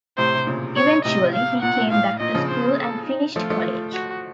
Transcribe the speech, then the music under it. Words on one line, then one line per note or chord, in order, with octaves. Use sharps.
Eventually, he came back to school and finished college.
A2 C3 C5
C3
A#2 C#3
C#5
A2 C3 D#5
F5
A#2 F#5
A#2
A2 F5
A#2 D#5
C#3 F3
C5
A4
D#4
F3 A3 F4
F3 A3
F#4